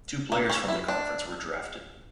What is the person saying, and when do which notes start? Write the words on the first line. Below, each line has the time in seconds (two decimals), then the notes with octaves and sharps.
Two players from the conference were drafted.
0.32 A#3
0.49 C#4
0.68 E4
0.88 D4